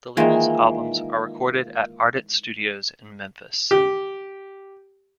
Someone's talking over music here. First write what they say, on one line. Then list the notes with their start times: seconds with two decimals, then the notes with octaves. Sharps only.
The label's albums are recorded at Ardent Studios in Memphis.
0.17 D#3 E3 G#3 A#3 F4 G#4 D#5 E5
3.71 G4